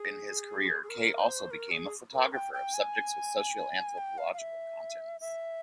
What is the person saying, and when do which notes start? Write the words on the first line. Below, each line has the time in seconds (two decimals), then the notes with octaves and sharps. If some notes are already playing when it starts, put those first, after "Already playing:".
Later in his career Kay also became a photographer of subjects with socio-anthropological contents.
Already playing: G#4
0.83 G#4
0.89 A#4
1.20 C5
1.51 A#4
1.71 G#4
2.13 A#4
2.33 G5
2.54 G5
2.74 G#5
3.97 G5
4.18 F5
4.34 F5
4.38 E5
5.21 E5